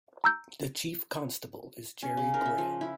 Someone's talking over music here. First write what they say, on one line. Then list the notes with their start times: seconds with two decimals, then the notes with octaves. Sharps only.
The Chief Constable is Jerry Graham.
0.24 A#5 E6 G6
2.03 C#4
2.17 C#3
2.34 A#4
2.46 E5
2.58 F3
2.81 E4